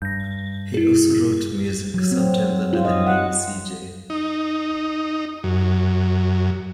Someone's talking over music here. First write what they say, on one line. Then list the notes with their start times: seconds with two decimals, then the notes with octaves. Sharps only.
He also wrote music, sometimes under the name C. J.
0.02 G2 G6 A#6
0.74 E4 G#4
1.94 F#3
2.12 C4
2.73 F4
2.85 D#5
3.07 F#5
4.10 D#4
5.44 F#2